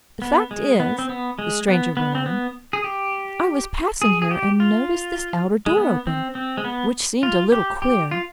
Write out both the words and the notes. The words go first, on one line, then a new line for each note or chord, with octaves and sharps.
The fact is," the stranger went on, "I was passing here and noticed this outer door open, which seemed a little queer.
B3
G#3
B3
C4
B3
G#3
B3
B3
C4
B3
G#4
G4
G#4
G#4
G4
F4
G#3
B3
C4
C4
G#3
B3
F4
G4
G4
F4